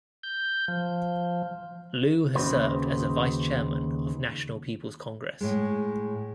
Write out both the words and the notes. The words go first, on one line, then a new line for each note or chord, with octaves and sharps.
Lu has served as a Vice-chairman of National People's Congress.
G6
F3
D#2 C#3 F3 F#4 B4 C5
A2 G#3